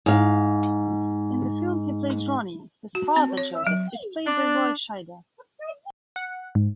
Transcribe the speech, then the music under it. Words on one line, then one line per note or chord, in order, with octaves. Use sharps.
In the film he plays Ronnie, whose father, Joseph, is played by Roy Scheider.
G#2 F5
F#4
C4
C#5
F#3
D4
F#5
G#2